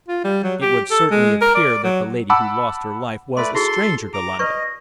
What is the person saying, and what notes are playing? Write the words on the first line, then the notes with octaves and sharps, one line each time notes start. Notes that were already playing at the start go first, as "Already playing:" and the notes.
"It would certainly appear that the lady who lost her life was a stranger to London."
F4
G3
F#3
G4
A4
G#3
A#4
D5
F#3
F#5 A5 B5 D6 E6
A3 B4 D5 C6
E4 F#4 G#4 A4 C6
A#5 D6
B4 D5 D#5 C#6